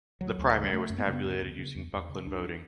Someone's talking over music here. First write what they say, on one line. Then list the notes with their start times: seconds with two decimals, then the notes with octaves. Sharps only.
The primary was tabulated using Bucklin voting.
0.21 D2 F#3
0.39 D2
0.55 C#3
0.64 G3
0.73 F#2 A3
0.90 F#2
0.98 B3
1.06 C#3 A3
1.13 B3
1.24 D2
1.41 D2
1.58 C#3
1.75 E2
1.93 E2
2.09 C#3
2.26 C#2 D4